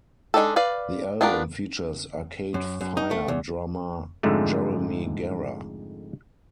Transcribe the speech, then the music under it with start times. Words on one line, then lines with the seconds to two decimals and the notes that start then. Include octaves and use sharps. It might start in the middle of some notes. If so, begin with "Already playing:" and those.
The album features Arcade Fire drummer Jeremy Gara.
0.34 G#3 D4 D#4 G4 A4
0.56 B4 D5 F5
1.21 B3 D4 F4 G4 A#4
2.54 F#2
2.81 F#2
2.97 D#4
3.11 A3
3.28 E2
4.23 F2 G#2 D3 G#3 A3